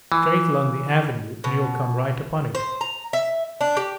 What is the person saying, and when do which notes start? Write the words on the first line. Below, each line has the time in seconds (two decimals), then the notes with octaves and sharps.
Straight along the avenue and you'll come right upon it.
0.12 E3
1.44 B2
2.55 C5
2.81 A#5
3.13 E5
3.61 D4
3.77 G4